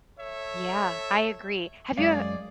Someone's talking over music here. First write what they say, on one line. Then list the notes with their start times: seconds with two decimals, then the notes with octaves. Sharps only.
Yeah, I agree. Have you ev
0.19 A4 C#5 E5
1.98 F#2 G#3 G#4 D5 F5